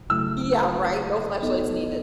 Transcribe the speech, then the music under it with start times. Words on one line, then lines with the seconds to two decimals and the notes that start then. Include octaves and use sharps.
Yeah, right. No flashlights needed.
0.09 C#3 F#3 A3 E4 E6
1.43 B3 D#4 A4 D#5